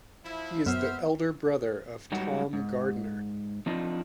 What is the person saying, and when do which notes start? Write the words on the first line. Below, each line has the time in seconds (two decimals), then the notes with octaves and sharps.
He is the elder brother of Tom Gardner.
0.25 F3 E4
0.66 F#2 B3 C5 E5 F6
2.12 G#2 F#3 G3 D#4 F#4 G4
2.53 G#2
3.66 F3 C4 D4 D#4 F4 D#5